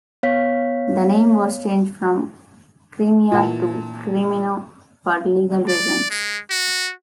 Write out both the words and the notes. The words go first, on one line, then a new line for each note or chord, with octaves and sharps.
The name was changed from Chimera to Camino for legal reasons.
B3 C#5 F5 B6
A#2 E3 F4 F#5 A5
D5
G#3
F#4